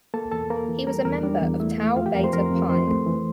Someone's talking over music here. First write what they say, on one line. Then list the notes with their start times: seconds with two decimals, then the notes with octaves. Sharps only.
He was a member of Tau Beta Pi.
0.14 A#3 A4 A5
0.32 E2 A4 A5
0.50 A#3 A#4 A#5
0.68 E3
0.86 G3 A#4 A#5
1.05 E2 A#4 A#5
1.23 G3 D4 D5
1.42 E2
1.60 A3 E4 E5
1.78 A3
1.96 F2 F4 F5
2.06 G4 G5
2.14 F2 A#4 A#5
2.24 C5 C6
2.33 F2 A#4 A#5
2.51 F2
2.69 F2 C5 C6
2.88 A3
3.06 E3